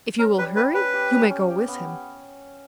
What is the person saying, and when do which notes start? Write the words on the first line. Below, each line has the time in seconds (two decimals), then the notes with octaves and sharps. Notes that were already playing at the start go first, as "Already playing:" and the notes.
If you will hurry, you may go with him!
0.19 C#4 A#4
0.38 G3 B4
0.56 G3 B4
0.74 C#4 B4
0.93 G4
1.12 C#4
1.30 C#4
1.50 G4
1.68 B3